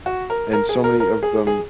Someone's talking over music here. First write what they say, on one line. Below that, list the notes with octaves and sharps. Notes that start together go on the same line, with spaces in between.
and so many of them
F#4
A#4
A#4
G#4
A#4
A#4
G#4
G#4